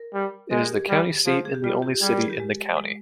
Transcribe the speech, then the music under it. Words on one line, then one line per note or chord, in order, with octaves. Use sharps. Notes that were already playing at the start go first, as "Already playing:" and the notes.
It is the county seat and the only city in the county.
Already playing: A#4
G3
G#3 A#4
G#4
G4
G#4
G3 G#4
F3 G#4
G#4
G4
G3 F4
G4
G4
G3 G#4
A#4
G#4
G4
G#3
G#3